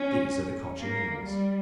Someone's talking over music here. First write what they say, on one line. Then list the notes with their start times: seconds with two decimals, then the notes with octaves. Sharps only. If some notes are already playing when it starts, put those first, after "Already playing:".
These are the Cochineals.
Already playing: C#4
0.81 A#3
1.25 G3